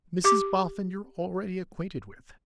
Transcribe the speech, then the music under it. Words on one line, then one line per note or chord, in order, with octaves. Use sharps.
'Mrs Boffin you're already acquainted with.
G4 D6